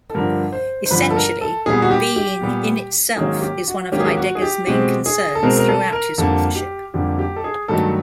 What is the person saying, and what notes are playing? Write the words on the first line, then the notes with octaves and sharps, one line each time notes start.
Essentially, Being in itself is one of Heidegger's main concerns throughout his authorship.
A4
G2 D3 F3 A#4
C5
C5
G2 D3 F3 B4
A4
A#4
A4
A#2 G3 B3 G#4
F#4
G4
G4
A#2 G3 B3
G#2 D#3 F#3 A#3 C#4 G#4
G4
F#4
G#2 D#3 F#3 A#3 C#4 G4
G#4
G4
F#4
G#4
G4
B2 G#3 C4 G4
G#4
A4
B2 G#3 C4 A#4
A#4
A4
A#4
F2 D3 G3 A#3 A4
G4
F2 D3 G3 A#3 G4
G4
A4
G#4
G2 D#3 F#3 A3 A4